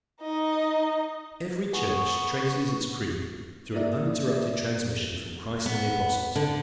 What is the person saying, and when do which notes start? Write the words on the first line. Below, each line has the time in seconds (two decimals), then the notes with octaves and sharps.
Every church traces its creed through an uninterrupted transmission from Christ and the Apostles.
0.22 D#4 D#5
1.73 B3 G#4 C#6
3.73 A#3 E4 F4 A#4 D5 E5
5.66 B3
6.36 D3